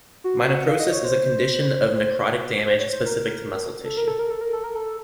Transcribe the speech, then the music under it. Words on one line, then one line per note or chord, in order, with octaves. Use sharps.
Myonecrosis is a condition of necrotic damage, specific to muscle tissue.
F#4
F#5
F5
D#5
C#5
C5
C5
C#5
C5
A#4
A4
A#4
A4
A#4
A4
A#4
A4
A#4
A4